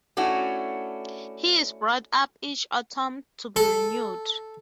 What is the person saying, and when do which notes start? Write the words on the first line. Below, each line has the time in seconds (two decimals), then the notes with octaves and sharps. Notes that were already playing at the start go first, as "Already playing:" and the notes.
He is brought up each autumn to be renewed.
0.17 A3 C#4 D4 E4 F#4
3.56 A4